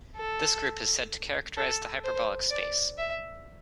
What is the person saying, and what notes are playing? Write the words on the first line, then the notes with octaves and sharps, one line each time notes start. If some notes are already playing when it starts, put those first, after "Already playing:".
This group is said to characterize the hyperbolic space.
A4
A4
C5
D5
E5